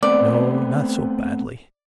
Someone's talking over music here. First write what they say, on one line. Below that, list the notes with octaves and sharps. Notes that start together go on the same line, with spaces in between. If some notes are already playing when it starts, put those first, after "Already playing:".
'No, not so badly.
A3 B3 C4 D5